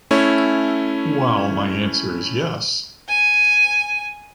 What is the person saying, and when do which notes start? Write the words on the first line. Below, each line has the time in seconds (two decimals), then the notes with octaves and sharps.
While my answer is yes.
0.11 A3 C#4 E4 C#5
3.09 G#5